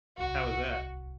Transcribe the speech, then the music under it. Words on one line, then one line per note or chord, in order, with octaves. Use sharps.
How was that?
D1 C2 F#4